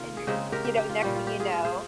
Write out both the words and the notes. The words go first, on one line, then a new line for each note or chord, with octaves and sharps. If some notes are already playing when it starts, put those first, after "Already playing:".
And you you know, next thing you know
Already playing: C3 D#3 A#3 F4
G#4
C#3 G#3 C4 D#4 G4
G4 A#4
G4
G4
F4
A#2 G3 C#4 G4
F4
G4
F4 G#4
F4
G#4 C5